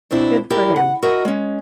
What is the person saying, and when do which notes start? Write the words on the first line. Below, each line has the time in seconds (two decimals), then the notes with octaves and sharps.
Good for him.
0.11 B2 C4 D4 E4
0.50 E4 G4 A#4 D5
0.76 F#5
1.03 F#4 A#4 D#5 E5
1.25 G#3 C#4